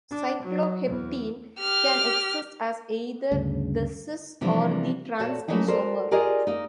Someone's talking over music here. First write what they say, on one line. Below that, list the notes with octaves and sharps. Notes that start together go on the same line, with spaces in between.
Cycloheptene can exist as either the "cis"- or the "trans"-isomer.
D4
F#3
E2
G4 F6
D2 G2 C#3
C3 E3 F3 G3 C4 D4
A#2 F#4 A4 C#5 A5
F#3 A3 A#3 C#4 D#4 E4
F#4 A4 A#4 C5 D5
F4 G4 G#4 A#4 D5 D#5
A#3 D#4